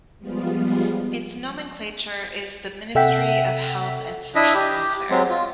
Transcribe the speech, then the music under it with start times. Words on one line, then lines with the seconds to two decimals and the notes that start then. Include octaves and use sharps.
Its nomenclature is the Ministry of Health and Social Welfare.
0.19 F3 G3 G#3 B3 F4
2.95 C3 A4 E5 F#5 G5 B6
4.35 D4 E4 D#5 E5
4.54 G4
5.10 F#3 G#3 C4
5.29 F4